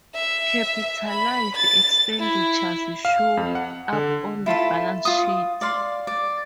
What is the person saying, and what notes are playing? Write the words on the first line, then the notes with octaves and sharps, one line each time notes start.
Capitalized expenditures show up on the balance sheet.
E5
B5
A6
E4
F5
F2
F#5
D3
E4 F4 A4 E5
F4 D#6
D5 F5 C6
D5